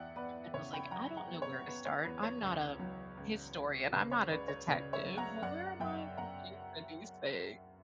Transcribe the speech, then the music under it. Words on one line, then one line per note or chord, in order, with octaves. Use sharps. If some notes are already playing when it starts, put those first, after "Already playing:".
and was like, "I don't know where to start, I'm not a historian, I'm not a detective, where am I looking for these things?"
Already playing: E2 D5 E5 F#5 G5
B3 B4 D5
C#3 C#5 E5
G5 B5
F#3 F#5 A#5
F#5 A#5
B3
C#5
B3 B4
C#5
E2 B4
C#5
C#2
F#3
C#2
C#2
C#3 B4
C#5
C#2 B4 D5
C#5
C#3 B4 D5
C#5 E5
F#3
F#5 A#5
F#2 D5 F#5
F#2 E5 G5
F#2 F#5 A#5